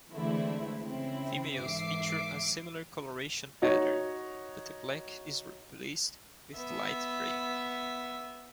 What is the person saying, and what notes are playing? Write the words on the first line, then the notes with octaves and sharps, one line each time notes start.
Females feature a similar coloration pattern, but the black is replaced with light grey.
D3 E3 G#3 A3 C4 E4
C#3 C4 E4
G#2 E3 E5 D6 C7
D#4 F#4 C#5
B3 E5